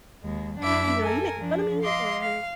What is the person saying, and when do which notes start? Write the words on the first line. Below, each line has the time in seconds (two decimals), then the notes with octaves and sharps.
you know, "You making fun of me?" or
0.23 D#2 G#3
0.59 F#2 D4 E4 E5 D6
1.00 A4 A#4 G#5
1.37 F3 D4
1.81 D#5 F5 C6 D6
2.21 F5